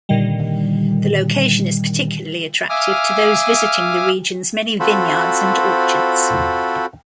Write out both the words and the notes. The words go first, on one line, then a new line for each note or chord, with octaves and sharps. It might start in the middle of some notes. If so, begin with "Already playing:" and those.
The location is particularly attractive to those visiting the region's many vineyards and orchards.
A#2 D3 D#3 G3
E5 F5 G#5 D6 D#6 F6
C4 F4 F#4 A4 C5 B5